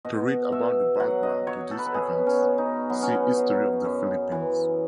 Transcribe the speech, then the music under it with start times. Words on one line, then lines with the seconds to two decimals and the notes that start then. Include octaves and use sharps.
To read about the background to these events, see History of the Philippines.
0.05 B2 D#5
0.52 B2 E5
1.00 F#3 F#5
1.23 D#5
1.47 F#3 C#5
1.71 A4
1.79 B4
1.86 A4
1.94 B2 G#4
2.27 C#4
2.42 B2
2.58 D#4
2.90 F#3 B3
3.02 C#4
3.14 B3
3.37 F#3
3.85 F#2
4.32 E3